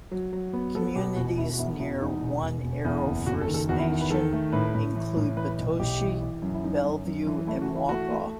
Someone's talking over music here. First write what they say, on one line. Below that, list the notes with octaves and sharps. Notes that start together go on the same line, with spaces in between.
Communities near One Arrow First Nation include Batoche, Bellevue, and Wakaw.
F#3
F#3
B3
B3 A4
B2 G4
E1 F#4
E1 E4
F#4
E2 E4
B2 E4
E2 D#4
E1
E1
E1
E2 E4
F#1
F#1 F#4
A4
D#3
A4
E2 F#4
E4
D#3
B4
D#3 A4
A3
A2 B4
A2
E3
A2
E3 B4
B1
B1 G4
E3
E3
F#2
E4
F#2 D#4
F#2
F#2
E3
A3 E4
F#4
E3
E4
A3 F#4
A3